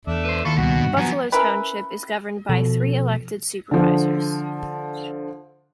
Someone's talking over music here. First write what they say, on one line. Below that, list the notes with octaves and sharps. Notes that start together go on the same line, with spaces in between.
Buffalo Township is governed by three elected supervisors.
E2 A3 D4 E5
B4 C5
D#2 E4 F4 A4 C#6
C#2 B2 G3 F#4
G2
F3 F#3 B3 F#4 G#5 A#5
C#4 E4 A#4 B4
B2 F3 A4
D3 F3